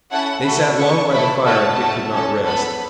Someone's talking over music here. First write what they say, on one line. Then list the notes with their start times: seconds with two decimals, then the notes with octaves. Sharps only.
They sat long by the fire and Dick could not rest.
0.11 C#4 E4 A4 F#5
0.45 A3 F#4 A4 B5
0.78 B3 A4 C#6
1.11 A3 E4 A4 B5
1.45 A3 F#4 A4 A5
1.79 A3 F#4 A4
2.11 C#4 A4
2.45 B3 A4 B5